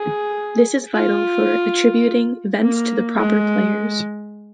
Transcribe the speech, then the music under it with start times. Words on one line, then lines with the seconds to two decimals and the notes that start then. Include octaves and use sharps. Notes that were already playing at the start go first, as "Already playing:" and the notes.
This is vital for attributing events to the proper players.
Already playing: G#4
0.95 F4
2.62 A#3
3.17 G#3